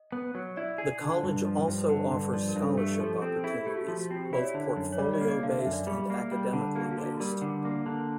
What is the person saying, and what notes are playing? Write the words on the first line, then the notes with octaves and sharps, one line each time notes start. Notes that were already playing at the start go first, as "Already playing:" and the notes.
The college also offers scholarship opportunities, both portfolio-based and academically-based.
Already playing: D#5
B3
F#3
E4 D5
G#4
D3
G2
F3
G2
D3
G2
F3 D5
A#4
G2
A4
A3 G4
F3 A4
C4 A4
E4 G#4
A3 G4
F#4
F3 F#4
F#4
C4 F#4
G4
E4 D5
C#5
D3
F#2
C#5
G3 D5
D#5
A#3
D#5
D3 F5
E5
F#2
D5
G3 G#4
A#3
G3
D3
A#3 G#4
F#4
D3
F#4
G3 A#4
D3
A#3
D3